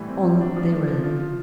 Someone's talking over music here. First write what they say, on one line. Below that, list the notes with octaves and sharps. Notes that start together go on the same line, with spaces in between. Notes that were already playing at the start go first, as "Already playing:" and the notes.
On they ran.
Already playing: A2 E3 G3
C4
C4
D4
F3
A3
F3
F4
F4